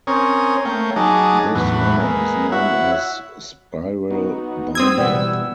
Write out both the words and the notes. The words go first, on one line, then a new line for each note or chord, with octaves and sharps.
This manner is known as spiral binding.
C4 C#4 A#4 C#5 D#6
A3 A#3 C#5 G5
F#3 D#4 G#4 A5 D6
E2 A2 E3 F#3 B3
G#3 A#3 B3
E4 F#4 C#5 E5 F#5
B3 D#4 F#4
C4 D#6 E6 G#6
B2 E3 G3 B3